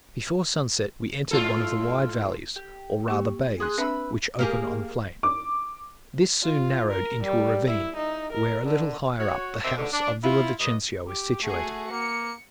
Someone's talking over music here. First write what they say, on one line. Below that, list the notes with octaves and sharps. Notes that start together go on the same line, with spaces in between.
Before sunset we entered one of the wide valleys, or rather bays, which open on the plain: this soon narrowed into a ravine, where a little higher up the house of Villa Vicencio is situated.
G#2 F4 A4
G4
A#3 G4 C#6
G#4 C6 F#6
C4 D4 B4 E5 B5 E6
A#3 G4 G#4
D6
F4
A#4
G3
E4
D#4
A#4
D3
F#4 C#5
C3 D#3 C5 D5 E5
G#2 B2 D3
D4
E4 F4
G2 D#5
G4
A3 F#4 G#4
A#3 C#7